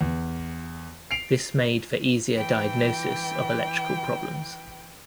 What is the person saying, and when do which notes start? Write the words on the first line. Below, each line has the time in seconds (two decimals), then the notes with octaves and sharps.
This made for easier diagnosis of electrical problems.
0.01 E2
1.11 C7 D7 F7
2.35 E3 G5